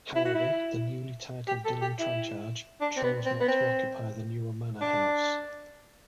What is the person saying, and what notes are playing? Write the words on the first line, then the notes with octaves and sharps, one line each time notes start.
However, the newly titled Dillon-Trenchards chose not to occupy the newer manor house.
E4
F#4
E4
G4
A4
G4
E4
D4
C4
B3
C4
B3
C4
D4